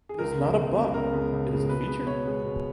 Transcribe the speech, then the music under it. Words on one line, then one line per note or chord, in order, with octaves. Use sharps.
It is not a bug, it is a feature!
G#4
C#2 A#4
C#3 G#3 B3
C#2
C#3 G#3 B3
C#2 A#4
C#3 G#3 B3
C#2
C#3 G#3 B3
B2 B4
G#3 B3
B2 C#5
G#3 B3
B2